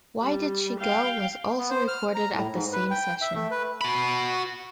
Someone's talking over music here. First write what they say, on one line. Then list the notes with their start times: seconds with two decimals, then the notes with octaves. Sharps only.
"Why Did She Go" was also recorded at the same session.
0.22 G3
0.79 F5 G5
1.58 B3
1.70 C5
1.88 F6
2.15 A#5
2.33 A2
2.52 G#2
2.73 B4
2.91 G5
3.21 E5
3.35 A3
3.51 B4
3.81 F#4 B5